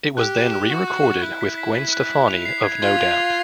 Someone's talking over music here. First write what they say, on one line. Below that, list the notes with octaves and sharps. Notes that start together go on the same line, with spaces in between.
It was then re-recorded with Gwen Stefani of No Doubt.
G4 F#6
E7
F#6
F#4 E7
F#6
F#6
E4 F#6
B6
B6
B6
F#6
B6
F7
C7
G#6
F4 G#6
F7
G#6